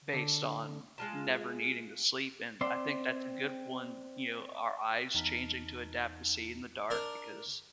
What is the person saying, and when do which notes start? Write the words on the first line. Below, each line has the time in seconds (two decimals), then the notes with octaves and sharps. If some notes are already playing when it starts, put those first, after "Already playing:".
based on never needing to sleep and I think that's a good one, you know, our eyes changing to adapt to see in the dark because,
0.13 D3
0.98 G#3 F4 A5
2.61 C4 D5 E5 C6
5.14 E2 D#4 A5 A#5 F6 B6
6.90 D4 A#4